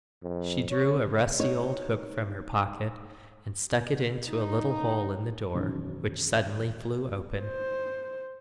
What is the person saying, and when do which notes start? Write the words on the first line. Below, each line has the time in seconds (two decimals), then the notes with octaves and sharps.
She drew a rusty old hook from her pocket and stuck it into a little hole in the door, which suddenly flew open.
0.23 F2
0.71 C#5
1.39 D#4 C#5
4.28 D#4
5.54 E1 F#2 D#3
7.41 C5